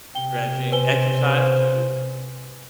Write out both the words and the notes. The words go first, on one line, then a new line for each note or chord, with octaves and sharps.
Stretching, exercise too, if
C3 G5 G7
B4 C5 G#5 G7